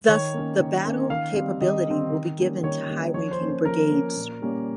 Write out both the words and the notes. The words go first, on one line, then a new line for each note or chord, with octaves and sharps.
Thus the battle capability will be given to high-ranking brigades.
D#3 C#5
A#3 C#4
D#3
A#3 C#4
D#3 F5
G3 C4 F5
D#3 D#5
G3 C4
D#3
G3 A#3 C#4
D#3 C#5
G3 A#3 C#4
F3 C#5
C5
A#3 C#4
C5
F3 A#4
A#3 C#4
A#2
G3 A#3 C#4